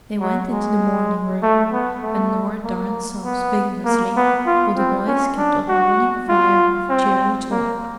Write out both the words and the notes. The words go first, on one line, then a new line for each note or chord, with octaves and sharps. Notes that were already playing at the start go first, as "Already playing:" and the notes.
They went into the morning-room, and Norah darned socks vigorously while the boys kept up a running fire of cheery talk.
F#3
G#3
A3
B3
A3
A#3
B3
A#3
B3
F4
C4
C#4
D4
F#4
F4
C4
A#3